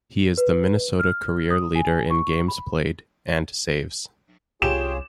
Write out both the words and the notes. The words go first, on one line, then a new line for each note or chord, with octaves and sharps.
He is the Minnesota career leader in games played, and saves.
B4
F6
D#6
G#5
C#6
B5
C2 C#4 F4 G4 G#4 E7